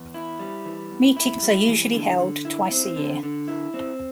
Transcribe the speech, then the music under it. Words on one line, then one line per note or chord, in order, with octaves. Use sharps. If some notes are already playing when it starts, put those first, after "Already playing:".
Meetings are usually held twice a year.
Already playing: E2
E4
G3
E3
E2
E4
G3
E3
D3
D3
E4
C4
D3
D3
E4
C4